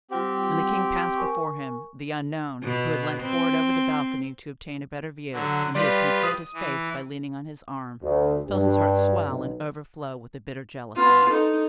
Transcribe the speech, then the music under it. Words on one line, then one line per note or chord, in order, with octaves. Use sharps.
When the king passed before him, the unknown, who had leant forward over the balcony to obtain a better view, and who had concealed his face by leaning on his arm, felt his heart swell and overflow with a bitter jealousy.
G3 C4 F4 G4 F#5
A#4 G#5 C#6
B2
C4
D3 F#3
G3 F4 G4 B4 D5 C6
D#6
E3
D2
G2
B1
B3 F4
D#4 A4